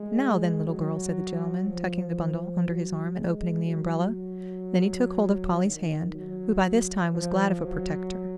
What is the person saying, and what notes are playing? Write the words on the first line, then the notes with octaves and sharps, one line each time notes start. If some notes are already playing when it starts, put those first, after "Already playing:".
"Now, then, little girl," said the gentleman, tucking the bundle under his arm, and opening the umbrella; then he took hold of Polly's hand, who by this time was glad of a protector.
Already playing: G#3
F#3
F3
F#3
G#3
F#3
D#3
F#3
F3
F#3